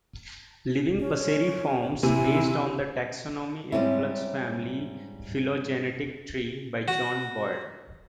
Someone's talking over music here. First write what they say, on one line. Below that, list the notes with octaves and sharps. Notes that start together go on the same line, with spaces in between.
Living Passeriformes based on the "Taxonomy in Flux family phylogenetic tree" by John Boyd.
C#4
C3 E4 G#5
G#2 G3 C4 C#4 E4
F#4